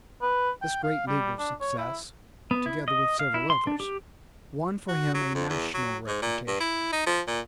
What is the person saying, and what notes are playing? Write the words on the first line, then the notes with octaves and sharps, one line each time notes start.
This great legal success, together with several others, won for him a national reputation.
B4
G5
F5
G3
D4
C#5
E4
B3
E4
D#5
F5
E4
C6
D4
G4
F#4
F#3
F2
E2
F#3
G#2
A#2
G2
E4
D#4
F3
A#2